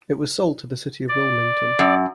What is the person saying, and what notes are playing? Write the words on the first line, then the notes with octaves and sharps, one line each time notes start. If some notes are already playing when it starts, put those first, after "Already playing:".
It was sold to the city of Wilmington.
D5
F#2